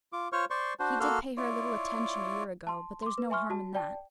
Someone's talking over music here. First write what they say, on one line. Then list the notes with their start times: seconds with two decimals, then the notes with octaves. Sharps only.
He did pay her a little attention a year ago; but there's no harm in that.
0.13 F4 D6
0.32 F4 C5 C#5 C#6 F6
0.50 C5 D5 C6 C#6
0.80 D4 F#4 C5
1.00 A#3 F#4 A4 C6 F6
1.37 E4 F4 C#5 D5
2.67 A5 C6
3.02 C6 D6
3.18 B4
3.30 E5 G#5 C6 C#6 F6
3.50 F#4 A5
3.75 D5 G5 A5